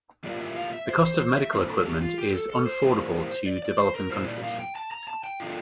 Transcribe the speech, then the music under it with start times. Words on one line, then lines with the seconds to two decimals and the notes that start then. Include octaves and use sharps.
The cost of Medical equipment is unfordable to developing countries.
0.24 A2 E3 G3 A#3 F4 D5
0.41 E5
0.56 F5
0.73 E5
0.89 C5
1.05 C5
1.20 C5
1.37 E5
1.53 E3 A#3 D4 C5
1.69 A4
1.86 G4
2.01 F4
2.18 G4
2.34 A4
2.50 A4
2.66 C5
2.82 E3 G3 A#3
3.46 D5
3.63 D5
3.79 C5
3.95 A#4
4.11 A#2 G3 A#3 E4 C5
4.27 D5
4.43 F5
4.60 G5
4.76 A5
4.91 A#5
5.08 A5
5.24 G5
5.40 E3 A3 D4 F4